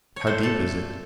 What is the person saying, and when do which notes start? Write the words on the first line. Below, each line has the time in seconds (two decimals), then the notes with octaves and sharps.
"How deep is it?"
0.16 C#5
0.27 A#2 A3 C5
0.43 A4